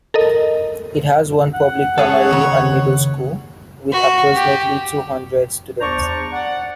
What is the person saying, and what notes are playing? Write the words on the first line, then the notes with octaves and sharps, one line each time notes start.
It has one public primary and middle school with approximately two hundred students.
A4 A#4 D#5
F#5
G#3 G#4 A4 C#5
D#2 C#3
F#4
G4
E2 D4 C5 D5 A#5 C#6
D5 F#5